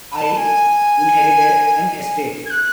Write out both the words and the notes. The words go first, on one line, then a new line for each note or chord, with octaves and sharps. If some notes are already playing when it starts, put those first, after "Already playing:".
I inherited an estate.
B5
A5
G#5
G#6
F#6